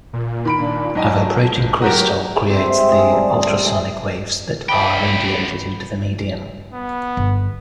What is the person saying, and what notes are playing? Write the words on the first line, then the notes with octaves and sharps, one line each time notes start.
A vibrating crystal creates the ultrasonic waves that are radiated into the medium.
A#2
D#3 B5 D7
A#2 D4
G#2 F#3 D#5 G#5 A5
A#1
F#3 F#4 G4 A#4 A#5
C3 C4
G#2 E5
G#4
G2 D4 D#4
C3 A3 G#4
F#2 G5 B5
B3
G1